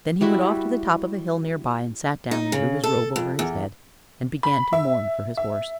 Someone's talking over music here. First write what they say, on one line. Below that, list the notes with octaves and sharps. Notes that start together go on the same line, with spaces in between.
Then he went off to the top of a hill near by, and sat down and drew his robe over his head, and began to mourn for his horse.
G3 E4 F#4 E5
D#4
C#3
A4
F2
E2
B5
E5
E5